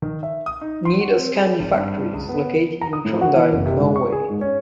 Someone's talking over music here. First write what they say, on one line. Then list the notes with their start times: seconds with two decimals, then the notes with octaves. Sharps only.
Nidar's candy factory is located in Trondheim, Norway.
0.02 D#3
0.23 E5
0.46 D#6
0.61 D#4
0.85 C6
1.00 F#4
1.17 C4
1.35 G#4
1.60 G#1
1.74 G2
2.14 C#2
2.29 B3
2.81 A#5
2.93 D#6
3.05 A2
3.21 F#4
3.36 E3
3.53 F#1
3.66 C3
3.79 G#2
3.96 C#6
4.12 G#4
4.30 G#2
4.41 C#4